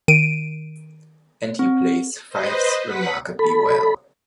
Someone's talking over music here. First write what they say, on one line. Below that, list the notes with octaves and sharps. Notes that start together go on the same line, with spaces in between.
And he plays fives remarkably well!
D#3 D7 D#7
C4
B4 C5 D#5
B4 F#5 B6
A4 B5